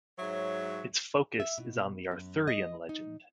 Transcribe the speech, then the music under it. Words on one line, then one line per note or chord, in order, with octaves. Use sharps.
Its focus is on the Arthurian legend.
G#2 F#3 C#5 E5
E5
B2
F#2
D#5
D#4